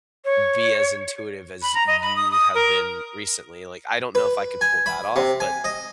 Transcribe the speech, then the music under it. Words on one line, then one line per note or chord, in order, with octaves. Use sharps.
be as intuitive as you have been recently, like, I don't know if I could pull that off, but
C#5
B5
A#5
D#5
B5
D#6
D#6
A#4
B4
G#5
B5
C3
G#5
D#5